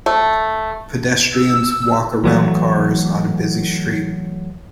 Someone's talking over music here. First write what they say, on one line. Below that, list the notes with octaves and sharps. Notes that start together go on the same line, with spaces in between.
Pedestrians walk around cars on a busy street.
A3
E6
E3 F#3 A3